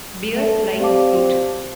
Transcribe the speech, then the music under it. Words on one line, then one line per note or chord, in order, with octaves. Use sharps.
Bears like this fruit.
A3
C4 G4 D5 F5 A5 D6